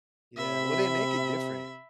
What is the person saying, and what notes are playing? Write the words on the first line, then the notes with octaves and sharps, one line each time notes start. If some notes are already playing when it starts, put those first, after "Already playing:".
Yeah, well, they make it different.
C3 E5 B5